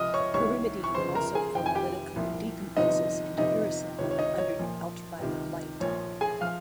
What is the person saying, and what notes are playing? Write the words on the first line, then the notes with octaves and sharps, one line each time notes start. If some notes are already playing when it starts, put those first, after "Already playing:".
Pyrimidine also photolytically decomposes into uracil under ultraviolet light.
Already playing: C#2 C3 F3 D#5 D#6 F6
C#5 C#6
C2 C3 D#3 C#5 C#6
C#6
G1 F2 C#3 C5 C6
A#4 A#5
G#4 G#5
F1 F2 D#3 G5
G#5
G4 G5
C2 A#2 F3
G1 F2 C3 F3 D#4 D#5
G1 F2 C3 D#4 D#5
C#2 C3 D#3 C#5
C#5
D#4 D#5
C#5
A#1 A#2 F3
C#2 C3 D#3
A#1 A#2 F3 C#5
G#4 G#5
F3 F5 F6